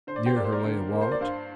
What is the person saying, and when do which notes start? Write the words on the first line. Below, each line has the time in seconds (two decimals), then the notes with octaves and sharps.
Near her lay a wallet.
0.07 D3 C5
0.16 D5
0.26 G4 C5
0.36 A#3 D5
0.44 C5
0.52 A#4 D5
0.64 D3
0.93 A#3
1.01 C5
1.12 D5
1.21 G2 C5 F5